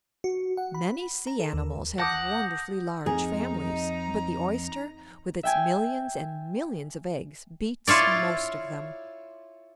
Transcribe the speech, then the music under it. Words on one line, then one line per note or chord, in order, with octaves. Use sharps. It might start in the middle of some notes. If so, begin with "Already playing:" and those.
Many sea-animals have wonderfully large families, but the Oyster, with its millions and millions of eggs, beats most of them.
F#4
F#5
B5
A#5
A4
D#2
F#5 A5 D6 D#6 G6 A#6
F2 D#4 G#4 A#5
E5 G5 G#5
E4 F4 C#5 D5